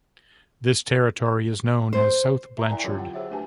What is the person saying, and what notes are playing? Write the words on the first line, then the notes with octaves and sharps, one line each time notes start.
This territory is known as South Blanchard.
C5
E5 A#5 C#6
E4 A#4 D5 G5 G#5
D3 F#3 C#4 F4 G4 C#5
F#5 G5
F#4 G#4 C5 C#5 E5 F#5
A3 D4 G4 B4 G#5 A5